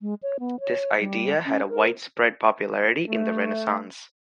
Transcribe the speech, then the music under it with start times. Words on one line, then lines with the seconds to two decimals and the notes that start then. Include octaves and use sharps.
This idea had a widespread popularity in the Renaissance.
0.02 G#3
0.23 C#5
0.40 B3
0.60 C#5
0.99 G3
1.46 C#4
1.69 A#4
3.08 A3